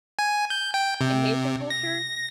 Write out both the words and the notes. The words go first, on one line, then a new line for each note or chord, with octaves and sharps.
in Haitian culture,
G#5
G6
G5
C3
A#6